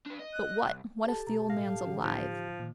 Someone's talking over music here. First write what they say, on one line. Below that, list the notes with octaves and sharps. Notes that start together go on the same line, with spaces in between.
But what, what if the old man's alive?
D4 B4
D#5
F#6
C2
G4 A4 A5
B2 A#5
A2 E5 F5 A#6
D3 E3 C#4
A2 F3 D#4 F#6
A#2 D#3